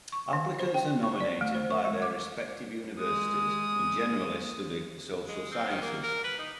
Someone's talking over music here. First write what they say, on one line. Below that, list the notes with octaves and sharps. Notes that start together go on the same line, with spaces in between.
Applicants are nominated by their respective universities and generally study the social sciences.
C#6
D#3
C5
G5
C#6
D5
A3
C5
C#6
G#3
D6
G#3 D#6
G#3
C4
D#3
A#3
A#4
B4
D#4